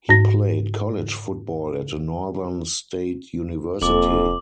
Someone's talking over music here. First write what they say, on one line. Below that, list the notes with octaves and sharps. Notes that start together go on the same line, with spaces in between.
He played college football at Northern State University.
G#2 A#6
E1 F2 A#3 A4 D6 F#7